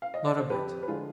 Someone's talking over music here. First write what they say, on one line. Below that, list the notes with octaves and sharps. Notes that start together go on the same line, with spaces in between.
Not a bit.
F5
D#5
D5
C5
F2 G4 B4
B4
D3 F3 G#3 F4 G#4